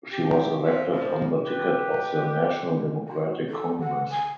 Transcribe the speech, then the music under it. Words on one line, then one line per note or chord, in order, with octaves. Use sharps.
She was elected on the ticket of the National Democratic Congress.
G4
F2 F3 C4 B4 E5
A2 D3 F3
G4 B4
F#4
A4
F#5
G#5